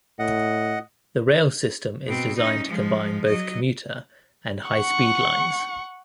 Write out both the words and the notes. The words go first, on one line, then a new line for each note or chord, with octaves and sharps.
The rail system is designed to combine both commuter and high-speed lines.
A2 D#5 F#5
B2 C4
C#4 D#4
F3 G#3
F#3 D#5
F#5 C#6